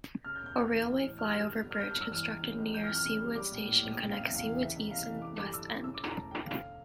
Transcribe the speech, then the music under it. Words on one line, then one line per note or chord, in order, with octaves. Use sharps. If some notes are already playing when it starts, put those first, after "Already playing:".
A railway flyover bridge constructed near Seawoods station connects Seawoods East and West end.
C#3 F6
G6
E1
G6
D2
E3
E3
A1
G2 F6
G3
D3
G1
F6
G2 G6
F6
G1
E6
E3 F6
C#2
C#3
C#2
E3 G6
F6
F2
F6
C#3
G3
G3 D6
A#1
A2
A#1
C#3 G5
F1 F5
E5
E2
F5
E3
C#3 E5
F1
E2 F5
E3
A3 D6
G2 D6
E3 E6
E4
C#3 E6
D6
E1
A#5
D2 A5
E1 G5
D3 F5